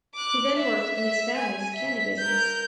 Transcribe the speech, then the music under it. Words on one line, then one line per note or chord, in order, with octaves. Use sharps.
He then worked in his family's candy business.
D6 F#6
E5
E5
G#5
E5 B6
A#4 G6